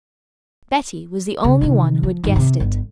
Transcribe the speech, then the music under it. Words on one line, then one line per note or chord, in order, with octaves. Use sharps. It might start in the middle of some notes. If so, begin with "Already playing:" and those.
Betty was the only one who had guessed it.
C#3
C3 D#3
F3
D#2 G#2
C3
G1